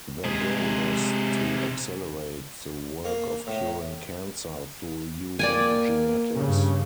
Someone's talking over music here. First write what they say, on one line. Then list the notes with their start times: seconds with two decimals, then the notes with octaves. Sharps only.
Their goal was to accelerate the work of curing cancer through human genetics.
0.24 C3 G#3 G#4
3.05 A#3
3.47 A2
5.39 A#3 D5 G5 G#5
6.36 G2 C#3